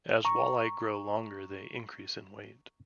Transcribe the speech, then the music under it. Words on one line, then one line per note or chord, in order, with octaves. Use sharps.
As walleye grow longer, they increase in weight.
A#5 C#6